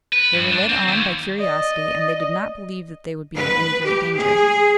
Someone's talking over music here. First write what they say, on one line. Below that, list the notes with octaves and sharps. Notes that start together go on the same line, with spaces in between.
They were led on by curiosity and they did not believe that they would be in any great danger.
B4
G2
D4
C4
D#2
D5 D#5
B4
G4
G#4